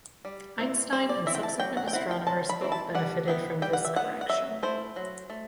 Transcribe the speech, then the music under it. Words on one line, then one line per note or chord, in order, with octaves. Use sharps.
Einstein and subsequent astronomers both benefitted from this correction.
G3
C4 E4
G3 C5
D5
C4 E4 E5
G5
A5
F#3 G5
F#5
G5
C4 E4 F#5
G5
F#3 A5
B5
C4 E4
A5
G3 F#5
B3 E4 G5
G3 G5
F#5
E5
B3 E4 F#5
F#5
F#3 E5
A3 E4 C5
F#3
A3